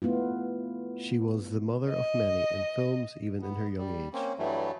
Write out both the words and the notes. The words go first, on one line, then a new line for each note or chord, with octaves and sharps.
She was the mother of many in films even in her young age.
A3 B3 E4 F4
D#5
B3
G3
A#3 C4 C#4
G2 E3 F#3 G3 A3